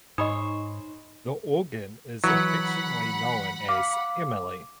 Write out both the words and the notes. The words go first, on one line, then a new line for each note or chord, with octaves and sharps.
The organ is affectionately known as "Emily".
G#2 D#4 C5 C#5 D#5 B5 D#6
E3 F#3 F#5 B5
F5 D6